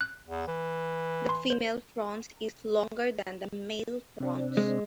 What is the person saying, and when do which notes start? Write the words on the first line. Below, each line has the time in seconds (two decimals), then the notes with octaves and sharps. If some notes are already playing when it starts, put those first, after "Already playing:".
The female frons is longer than the male frons.
0.01 F#6
0.28 E2
0.47 E3
1.29 C6
1.50 C5
4.20 C3 C4 D4
4.57 G#3